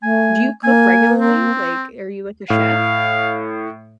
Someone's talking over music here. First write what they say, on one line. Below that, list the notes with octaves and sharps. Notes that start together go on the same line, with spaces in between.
do you cook regularly? Like, are you, like, a chef?
A3 G#5
A#3 G#5
C4
A2 F5